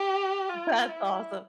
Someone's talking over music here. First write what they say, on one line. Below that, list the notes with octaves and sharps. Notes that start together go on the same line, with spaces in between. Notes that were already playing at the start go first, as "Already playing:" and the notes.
That's awesome.
Already playing: G4
F4
E4